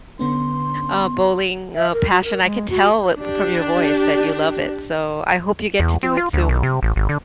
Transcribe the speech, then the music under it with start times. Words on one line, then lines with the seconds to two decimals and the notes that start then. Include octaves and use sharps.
uh, bowling, uh, passion. I can tell it from your voice that you love it, so I hope you get to do it soon,
0.19 D3 B3 C#4 C6
1.75 E5
1.93 A#4
2.11 F#4
2.24 A#4
2.44 G#3
2.70 F#4
3.17 D4 G4
5.80 E2
6.03 C4
6.17 F4
6.33 D2
6.49 B1
6.63 C3
6.83 A1
6.96 G#1
7.09 D3